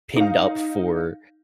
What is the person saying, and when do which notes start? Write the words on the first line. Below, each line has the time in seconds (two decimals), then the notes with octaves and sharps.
pinned up for,
0.16 D#4 F5